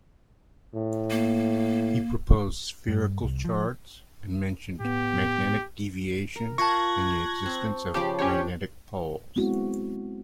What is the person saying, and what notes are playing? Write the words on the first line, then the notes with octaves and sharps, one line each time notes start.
He proposed spherical charts and mentioned magnetic deviation and the existence of magnetic poles.
A2
A#3
G2
C2
F3
A2 B3 G4
A#4
F4 A5 C#6 F#6 G#6 A#6
C4
C#3 F3 G4 D5
C#4 D4 G4 C#5
G#3 B3 C4 E4 F#4